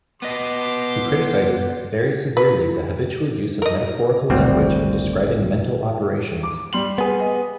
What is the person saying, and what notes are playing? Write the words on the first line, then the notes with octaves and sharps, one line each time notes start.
He criticizes very severely the habitual use of metaphorical language in describing mental operations.
B3 G4 D#5 C6 D6
B4
A#4 D#5
G#1 D2 G3 C4 F#5
D6
G3 C6 F#7
B3 G#4
D#5